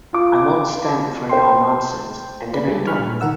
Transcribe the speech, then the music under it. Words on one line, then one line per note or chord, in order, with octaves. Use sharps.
I won't stand for no nonsense, and then I duck.
F4 D6
C5 G5 C6
B4 D5 B5
G3 G#3 D4 A4
B5 C#6 F6
A#2
D#3 A#4 F#5 E6